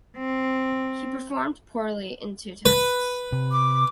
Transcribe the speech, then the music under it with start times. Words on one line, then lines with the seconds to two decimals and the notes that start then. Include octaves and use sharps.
He performed poorly in two tests.
0.17 C4
2.66 B4
3.32 C3
3.51 D6